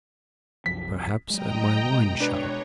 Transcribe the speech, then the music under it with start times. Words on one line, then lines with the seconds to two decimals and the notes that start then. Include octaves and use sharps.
"Perhaps at my wine-shop?"
0.66 C2 F#2 F3 B6
1.30 F#3 G#3 D#5 G5 A#5
1.86 B2 G#3
2.20 D4 B4 C#5